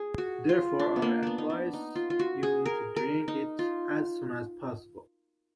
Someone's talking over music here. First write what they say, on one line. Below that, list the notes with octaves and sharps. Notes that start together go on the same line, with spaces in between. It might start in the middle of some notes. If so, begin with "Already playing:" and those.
Therefore I advise you to drink it as soon as possible.
Already playing: G#4
F#4
F4
D4
B3
A#3
B3 D4
D#4
D4
D#4
F4
F4
F#4
G#4
A#4
A#4
D#4
F4